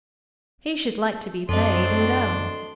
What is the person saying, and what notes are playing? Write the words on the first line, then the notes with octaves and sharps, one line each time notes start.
He should like to be paid, and go.
F#2 F#3 A3 C4 D4 A4 D#5 C6